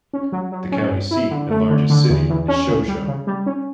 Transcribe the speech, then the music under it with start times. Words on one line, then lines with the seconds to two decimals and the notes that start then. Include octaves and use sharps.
The county seat and largest city is Shoshone.
0.13 C#4
0.32 F#3
0.52 F#3
0.72 C#4
0.91 G2
1.11 E4
1.31 D3
1.50 A3
1.70 D3
1.90 D3
2.10 E2
2.30 E2
2.48 C#4
2.68 C#2
2.88 G3
3.08 C#3
3.27 G3
3.46 C#4